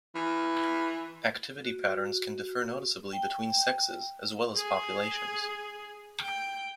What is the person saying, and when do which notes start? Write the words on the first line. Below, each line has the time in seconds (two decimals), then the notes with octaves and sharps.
Activity patterns can differ noticeably between sexes as well as populations.
0.15 E3
1.65 F#4
3.13 G5
4.57 G#4
6.22 G5